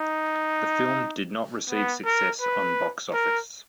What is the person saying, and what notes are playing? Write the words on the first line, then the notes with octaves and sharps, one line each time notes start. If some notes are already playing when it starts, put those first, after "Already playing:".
The film did not receive success on box office.
Already playing: D#4
B3
A#4
B4
A#4